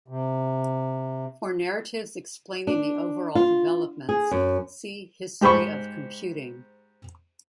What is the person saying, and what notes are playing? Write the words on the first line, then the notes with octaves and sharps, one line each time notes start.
For narratives explaining the overall developments, see History of computing.
C3
D4
F4
G#4
F#2
G#2 G4 C5 B5 C#6